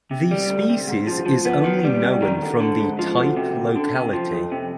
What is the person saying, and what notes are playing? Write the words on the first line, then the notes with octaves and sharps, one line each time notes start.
The species is only known from the type locality.
C3
G3
D2
C3
G#2
F3
F3
B3
D#3
G3
C3
D#3
D2
D3
G#2
F3
D2
C3
D2
D3
C3
F3
F2
C3